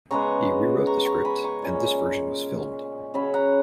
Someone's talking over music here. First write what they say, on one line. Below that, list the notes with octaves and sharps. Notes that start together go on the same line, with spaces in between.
He rewrote the script, and this version was filmed.
C#3 G#3 B3 A#5 C#6
A#5 C#6
A#5 C#6
G#5 B5
A#5 C#6
A#2 G#3 C#4
C#3 F#3 C#4 G#5 B5
F#5 A#5